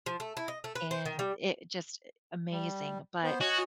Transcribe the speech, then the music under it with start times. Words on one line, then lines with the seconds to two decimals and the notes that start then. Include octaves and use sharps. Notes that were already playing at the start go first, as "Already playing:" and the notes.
and it just i amazing, but
0.06 F3
0.20 A3
0.37 E4
0.48 D#5
0.64 A3
0.75 B4
0.91 C5
1.05 D#3
1.19 G3
2.52 G3
3.24 B3 C5
3.41 F#4 C#5 D#5 G#5